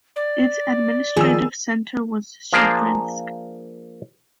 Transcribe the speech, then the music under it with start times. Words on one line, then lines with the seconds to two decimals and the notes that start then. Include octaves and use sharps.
Its administrative centre was Shadrinsk.
0.16 D5
1.17 D#3 F3 G3 G#4 E6
2.53 F3 A#3 D4 G#4 A#4 C5